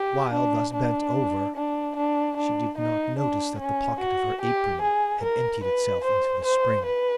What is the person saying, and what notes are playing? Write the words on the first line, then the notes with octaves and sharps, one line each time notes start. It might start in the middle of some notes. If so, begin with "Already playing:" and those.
While thus bent over, she did not notice that the pocket of her apron had emptied itself into the spring.
Already playing: G4
D4
D4
D4
D4
D4
D#4
D4
C#4
F#4
G4
G#4
A#4
B4
C5
C5
B4